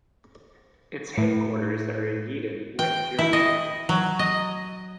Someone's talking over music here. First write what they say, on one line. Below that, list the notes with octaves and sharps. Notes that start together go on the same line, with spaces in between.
Its headquarters are in Yeadon, West Yorkshire.
A2
G5
E4
D#5
F#3
D#5